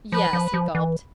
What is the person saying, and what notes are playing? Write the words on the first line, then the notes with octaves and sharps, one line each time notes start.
"Yes," he gulped.
F3 B4
F3
F3
E3